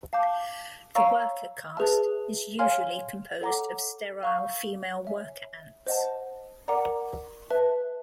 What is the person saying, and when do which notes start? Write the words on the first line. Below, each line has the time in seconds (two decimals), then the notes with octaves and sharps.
The worker caste is usually composed of sterile female worker ants.
0.13 F5 A5 D6 G6
0.95 C#5 F5 A#5 C#6 E6
1.77 G#4 B4 E5 A5
2.59 C#5 F5 G#5 C6 F6
3.41 A4 C#5 F#5 A#5 D6
4.23 F5 A#5 C#6 E6 G6
5.05 C#5 E5 G#5
5.87 C5 D#5 F#5 A5
6.68 A#4 D5 F#5 A#5 D6
7.50 B4 E5 A5